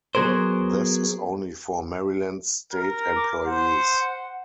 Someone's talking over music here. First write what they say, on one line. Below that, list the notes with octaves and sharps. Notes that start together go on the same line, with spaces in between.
This is only for Maryland State employees.
F#3 B3 G#4 A#4 C5
A#4
D6
C5 F#5